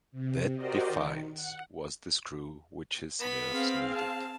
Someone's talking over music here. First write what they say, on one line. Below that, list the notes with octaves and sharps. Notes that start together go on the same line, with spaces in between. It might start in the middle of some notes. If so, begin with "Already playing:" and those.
That defiance was the screw which his nerves needed.
C3
F#4 G4 A#4 C5 D5 D#5
D#3
F#5
B3 B5
C4 G#4 F5
A5